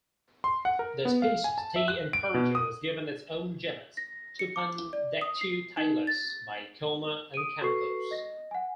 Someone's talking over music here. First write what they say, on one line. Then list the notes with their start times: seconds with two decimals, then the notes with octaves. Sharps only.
The species "T. imperator" was given its own genus, "Tupandactylus", by Kellner and Campos.
0.44 C6
0.65 F#5
0.79 A#4
1.05 B3
1.22 F5
1.44 G#5
1.58 A5
1.76 E5
1.88 F#6
2.13 D7
2.34 B2
2.55 D#6
3.97 A#6
4.39 C#7
4.56 D6
4.93 D5
5.21 D#6
5.41 C7
5.77 D#4
6.07 A6
7.34 D#6 D7 D#7
7.61 F#4 A4 B4 C#6 C7
8.11 D#5 A#6
8.51 F#5 G#5